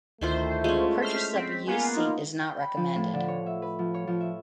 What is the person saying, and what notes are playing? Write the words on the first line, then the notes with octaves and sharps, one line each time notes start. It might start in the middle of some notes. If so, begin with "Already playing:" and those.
The purchase of a used seat is not recommended.
D2 D#3 A3 E4 F4 C5
G#3 C#4 F4
C5 F6 B6
C4
A#3 B3 F4 G#5
D#4
G5
B5
F3
A2
D3
C#5
E5
B4
F3
C#5
F3
E5